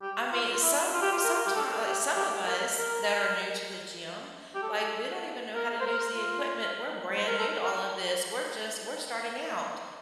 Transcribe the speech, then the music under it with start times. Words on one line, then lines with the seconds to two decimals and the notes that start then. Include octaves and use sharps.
I mean, some sometime like, some of us, that are new to the gym, like, we don't even know how to use the equipment. We're brand new to all of this, we're just we're starting out,
0.02 G4
0.32 F4
0.62 E4
0.93 F4
1.02 G4
1.12 F4
1.24 A#4
1.46 G4
1.56 A4
1.86 G4
2.16 G4
2.47 A#4
2.78 A#4
4.55 G4
4.63 A4
5.56 A#4
5.81 C5
5.86 A#4
6.16 F4
7.15 C5
7.27 A#4
7.39 A4
7.63 A#4